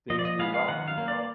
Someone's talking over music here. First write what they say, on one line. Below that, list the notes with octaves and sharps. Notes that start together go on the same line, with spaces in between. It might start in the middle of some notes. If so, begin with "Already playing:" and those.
Things move on, you know?
F3 D#5
D5
D#5
G#3 B3 F5
F5
D#3 F#5
F5
A#3
D5